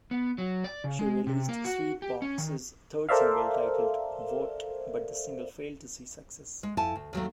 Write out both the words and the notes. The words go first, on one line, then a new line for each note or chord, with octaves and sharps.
She released Sweetbox's third single titled "Wot", but the single failed to see success.
B3
F#3
D5
C#3
G#3
C3
A#3
F#4
G4
C#4
D#3
A4 A#4 C5 D5 E5 F5
G#3
F2 E4 G#5 A5
D2
D#2 F#3 A3